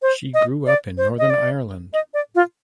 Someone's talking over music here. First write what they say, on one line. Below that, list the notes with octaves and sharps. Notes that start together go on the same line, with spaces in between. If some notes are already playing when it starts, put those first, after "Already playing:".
She grew up in Northern Ireland.
C5
D#5
D5
C5
D#5
D5
D#5
D5
F4